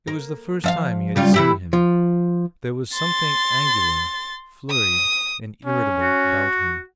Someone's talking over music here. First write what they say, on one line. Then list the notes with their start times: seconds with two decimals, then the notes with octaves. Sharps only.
It was the first time he had seen him. There was something angular, flurried and irritable about him.
0.08 A#3
0.64 F3 E5 F5
1.16 C#3 G3 F4
1.34 E3 E4 G4
1.73 F3
2.94 C6 A6
4.70 D#6
5.65 C#4
6.02 F#4